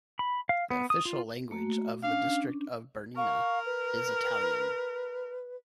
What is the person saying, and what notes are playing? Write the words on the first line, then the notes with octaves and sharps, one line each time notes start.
The official language of the district of Bernina is Italian.
B5
F5
B3
D#6
F4
A3 A#3 F#4
C#4 D4 F5
A#4 F5 C#6
B4